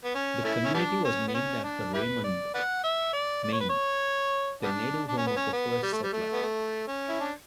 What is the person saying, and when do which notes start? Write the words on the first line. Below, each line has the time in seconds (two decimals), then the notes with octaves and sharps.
The community was named after Raymond, Maine, the native home of a first settler.
0.05 B3
0.15 C#4
0.44 A3 C#4 E4
0.64 C#4
0.74 G3 B3 D4
1.04 C#4
1.28 B3
1.34 C#4
1.64 D4
1.94 E4 G4 B4
2.24 D5
2.54 B4 D5 F#5
2.84 E5
3.13 D5
3.44 D5
3.53 C#5
3.61 B4
3.69 C#5
4.63 G3 B3 D4
5.09 D4
5.17 C#4
5.27 B3
5.36 C#4
5.53 B3
5.83 G3
5.93 A3
6.03 G3
6.13 A3
6.34 B3
6.43 A3
6.88 C#4
7.09 E4
7.20 D4